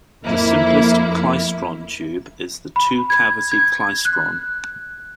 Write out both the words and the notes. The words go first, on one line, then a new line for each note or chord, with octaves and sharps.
The simplest klystron tube is the two-cavity klystron.
F2 A#3 E4
B5
G#6
G#6
F#6